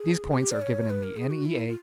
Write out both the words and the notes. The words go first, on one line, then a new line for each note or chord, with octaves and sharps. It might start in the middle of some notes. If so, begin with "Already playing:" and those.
These points are given in the N.E.A.
Already playing: G#4
G4
D5
C#5
B4
A#4
G#4
F#4
E4
F4